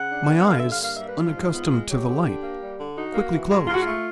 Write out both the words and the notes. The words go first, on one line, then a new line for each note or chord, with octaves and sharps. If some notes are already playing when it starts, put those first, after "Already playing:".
My eyes, unaccustomed to the light, quickly closed.
Already playing: C#3 F#5
D4
B3
F#5
D3 F5
E5
G2
F5
A#3 F5
E5
G3
B4
F3 F4
G#2
B3
G#3
F#3 G4
D3
D4
A#3
G3
D3
D#4 F#4
A#3
E3
G#2
G#2 F4
F#4
A3 F4